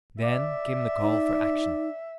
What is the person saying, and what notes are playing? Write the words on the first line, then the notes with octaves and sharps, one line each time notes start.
Then came the call for action.
D5 E5
D#4